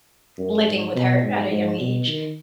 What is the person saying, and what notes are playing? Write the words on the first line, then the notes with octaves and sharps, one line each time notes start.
living with her at a young age,
F#2
G#2
B2
G#2
G#2
B2
D#3